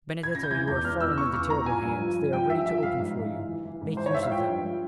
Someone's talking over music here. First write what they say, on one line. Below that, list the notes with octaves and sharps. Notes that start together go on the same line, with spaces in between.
Benedetto, you are fallen into terrible hands; they are ready to open for you--make use of them.
G#6
C#3 A#6
G6
E3 G#6
E2 G6
E2 F6
E2 E6
C#3 C#6
E2 C#6
E2 A#5
F3 G#5
G2
F3
G2
F3 G5
G2 E5
F3 E5
G2 F5
G#2
E3
E3
E3
E3
G#2
E3 C5
C#5
G#2 E5
F5
F3 G5
G2
F3